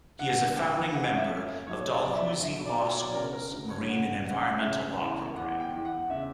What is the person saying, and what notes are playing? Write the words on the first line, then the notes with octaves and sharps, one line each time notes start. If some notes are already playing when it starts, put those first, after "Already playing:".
He is a founding member of Dalhousie Law School's Marine and Environmental Law Programme.
D3 F#5
A#3 G5
C#4 F#5
E5
A#3
B1 C#5
D5
B1 D5
E5
B1 E5
D5
B2
C#5
D5
C#5
C#3 A#4
A#4
D2
C#5
C#3 F#5
C#3 F#5
C#3 E5
E2
E2 F#5
G5
E2
F#5
C#3 E5